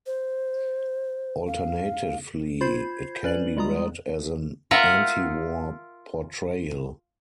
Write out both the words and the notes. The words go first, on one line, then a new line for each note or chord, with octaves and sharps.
Alternatively, it can be read as an antiwar portrayal.
C5
F5
F4 C5 B5 G6 G#6 C7
C#4 B4 D5 F#7
G3 G#3 F4 A#5 D#6
F4 A#4 E5 F#5